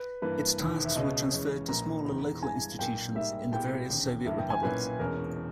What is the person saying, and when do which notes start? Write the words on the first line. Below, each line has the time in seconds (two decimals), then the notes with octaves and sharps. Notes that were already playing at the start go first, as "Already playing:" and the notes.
Its tasks were transferred to smaller, local institutions in the various Soviet republics.
Already playing: B4
0.22 G2 E3 A#3 B4
0.59 E1 D#2 D#3
0.85 E5
0.95 C#2 B2 G#3 C#4 D#5
1.31 E2 C#3 G#3 C#4
1.68 A#1 A#2 A#3 A#5
2.05 E1 E2 D#3 G#3 B3
2.42 G2 E3 G#3 G#5
2.79 B1 A#2 A#3 G5
3.15 G#2 G3 A#3 E5
3.52 A#2 G#3 B3 E4 G4 G5
3.89 E1 D#2 C#3
4.26 G1 G2 E3 A#3 E4 E5
4.38 G5
4.50 G#5
4.63 B1 A#2 A#3 C#4 E4 B4
4.99 E1 E2 B2 G#3 C#4 A#4